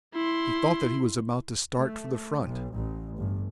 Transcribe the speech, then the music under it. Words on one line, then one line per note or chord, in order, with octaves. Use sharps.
He thought that he was about to start for the front.
E4 C6
A3
B1
A1
G1